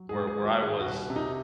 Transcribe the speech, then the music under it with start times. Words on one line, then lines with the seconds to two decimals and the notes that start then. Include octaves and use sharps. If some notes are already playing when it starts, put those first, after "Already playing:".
where where I was,
Already playing: F#3
0.09 G#4
0.15 G#2
0.27 G#4
0.38 D#3
0.45 F#4
0.62 D#3 G#4
0.80 F#4
0.86 C2
1.10 C3
1.16 D#4